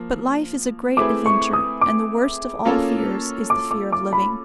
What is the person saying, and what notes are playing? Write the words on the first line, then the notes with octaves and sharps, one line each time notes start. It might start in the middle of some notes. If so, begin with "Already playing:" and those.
But life is a great adventure, and the worst of all fears is the fear of living.
Already playing: F3 A#3
A3 C4 E4 G#4 B4 D6
C#6
D#6
D6
A#3 C#4 F4 A4 C#5
D6
D6
D6
B5